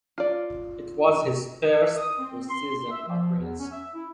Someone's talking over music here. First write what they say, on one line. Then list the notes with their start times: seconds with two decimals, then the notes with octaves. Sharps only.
It was his first postseason appearance.
0.18 F4 D5
1.97 D#6
2.19 C4
2.49 C6
2.91 E5
3.08 F3
3.39 E2
3.60 C#4
3.72 E5
3.95 E4